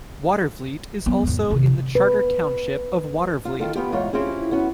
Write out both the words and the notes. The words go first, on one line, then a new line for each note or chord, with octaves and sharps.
Watervliet is also in the Charter Township of Watervliet.
F#3 B3
E2 G#2
C3 D#3
B4
F4
D#3 F4 A4
B3 F4 G4
E2 G#2 F4 C#5
C4 C#4 E4 F4 G4 G#4
B3 C#4 F#4